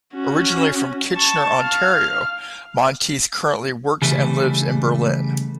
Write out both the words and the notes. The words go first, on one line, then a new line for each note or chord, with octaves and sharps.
Originally from Kitchener, Ontario, Montieth currently works and lives in Berlin.
C#4 F#4
A5 C#6
F5 F6
C#3 E3 G3 A3